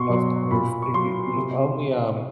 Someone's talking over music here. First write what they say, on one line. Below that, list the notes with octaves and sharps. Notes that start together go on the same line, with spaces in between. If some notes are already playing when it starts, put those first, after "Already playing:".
Of course, and you the only, um,
Already playing: B2 C6 C#6
F#3
A#2 B5
C#6
F#3 C6
C3